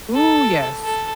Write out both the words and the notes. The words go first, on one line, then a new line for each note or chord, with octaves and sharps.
Ooh, yes.
A4
A4